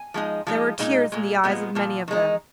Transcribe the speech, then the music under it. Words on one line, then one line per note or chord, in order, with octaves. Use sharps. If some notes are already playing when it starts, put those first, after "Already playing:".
There were tears in the eyes of many of them.
Already playing: G#5
F3 G#3 D#4
F3 G#3 D#4
A#2 G#3 D#4
A#2 G#3
A#2 F3 G#3 B3
A#2 F3
D#3 G#3 D#4